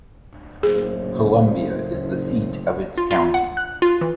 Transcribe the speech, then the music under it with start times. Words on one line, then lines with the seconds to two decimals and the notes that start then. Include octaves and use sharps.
Columbia is the seat of its county.
0.63 F#1 A2 G#4 C5
2.98 F4
3.11 F4
3.34 F#5
3.57 F#6
3.82 F4
4.01 E3